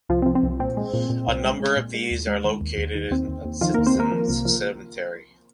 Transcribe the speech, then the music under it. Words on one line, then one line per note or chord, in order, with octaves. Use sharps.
A number of these are located in Assistens Cemetery.
C2 F3 F4
F3 C4
C4
C2
A#2 C4
G#3
A#2
A#2
C2
G#3
G#3
A#2
G#3
D#2
G#3
D#3
D#2
D#2
D#3
D#2 C4
D#2
D#2
D#3 F3 F4
D#2 A#3 A#4
C4 C5
D#2 A#3 A#4
F3
C2
F3